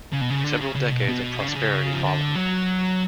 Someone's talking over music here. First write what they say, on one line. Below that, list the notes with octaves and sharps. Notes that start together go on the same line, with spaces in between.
Several decades of prosperity followed.
C#3
B2
C#3
D3
C#3
C#3
B2
B2
C#3
D3
C#3
F3
D3
F#3